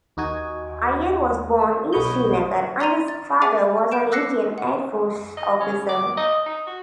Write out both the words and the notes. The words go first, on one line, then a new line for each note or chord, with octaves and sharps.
Iyer was born in Srinagar and his father was an Indian Air Force officer.
D#2 D#4 F#4 G#5
B1 B3 B4 C#5 D#5 G6
D5 A#5 C6 D#7 F7
A6
G#4 E5 F#5 G#5 D6 A6
F6 G6 D7 E7
D6 E6 F#6 A#6 C7 C#7
F#5
D#5
C#4
D6
D#5
D#4
F#4